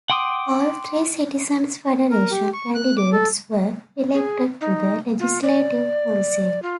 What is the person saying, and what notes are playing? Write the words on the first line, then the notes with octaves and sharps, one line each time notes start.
All three Citizen's Federation candidates were elected to the Legislative Council.
F#5 G5 C6 D6 D#6
A#4
G4
C#6
F#6
D6
A4
G#4
D#4
F4
D5
F4